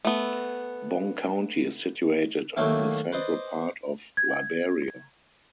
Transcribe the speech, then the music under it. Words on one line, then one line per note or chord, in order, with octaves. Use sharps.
Bong County is situated in the central part of Liberia.
A3 B3
A2 D#3 F#3 A3 A#3 E4
B4 C5 D5 D#5
G#6